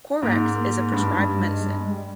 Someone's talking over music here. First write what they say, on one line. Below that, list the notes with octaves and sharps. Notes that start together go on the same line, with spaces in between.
Corex is a prescribed medicine.
G#2 A#3
A#3
A#3
G2 G#3
G3
G#3
G#3
G3